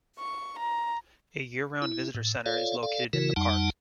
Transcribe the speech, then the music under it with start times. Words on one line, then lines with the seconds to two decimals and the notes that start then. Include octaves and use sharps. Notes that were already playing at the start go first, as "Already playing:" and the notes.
A year-round visitor center is located in the park.
0.19 C#6
0.59 A#5
1.82 E4
2.15 A2
2.46 F4 A4 C#5 D5 F5
2.83 A4 D5 F5
3.13 C#3 E3 E4 F#4 A#4
3.36 F2 G3 D#4 F#5 A5